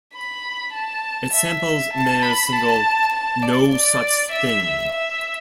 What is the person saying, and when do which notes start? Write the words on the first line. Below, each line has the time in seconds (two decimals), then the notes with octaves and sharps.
It samples Mayer's single, "No Such Thing".
0.14 B5
0.73 A5
1.33 E5
1.93 A5
2.22 B5
2.52 A5
3.12 A5
3.42 D5
3.72 D5
4.32 E5
4.92 E5